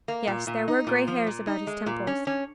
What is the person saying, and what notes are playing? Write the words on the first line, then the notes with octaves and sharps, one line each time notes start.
Yes, there were gray hairs about his temples.
A#3
A#2
A#2
D#4
A#2
F3
A#2
D#4
G#3
A#2
C#4
C#4